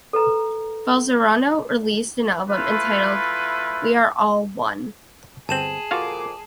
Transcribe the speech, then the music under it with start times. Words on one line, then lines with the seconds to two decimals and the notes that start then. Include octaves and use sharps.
Falzarano released an album entitled "We Are All One".
0.13 A4 B4 A#5
2.48 A3 E4 F4 B4
5.49 G1 C4 G#4 A5 E7 F#7
5.91 F2 A#2 F4 F#4 F5 D6